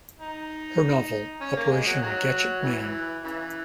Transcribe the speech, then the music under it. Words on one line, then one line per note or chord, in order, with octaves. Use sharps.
Her novel Operation Gadgetman!
D#4
C#4
A#3
G#3
F#3
D#3 F#3
E3
C#3 E3